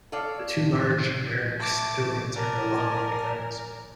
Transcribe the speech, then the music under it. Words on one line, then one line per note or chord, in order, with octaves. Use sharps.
The two large barracks buildings are no longer on the grounds.
A4 C#5 D5 F5
A3 A5 D6
A#4 D5 G#5 A5